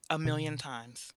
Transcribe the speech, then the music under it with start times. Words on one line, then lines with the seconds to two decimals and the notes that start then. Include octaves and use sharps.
A million times.
0.25 C3
0.44 B2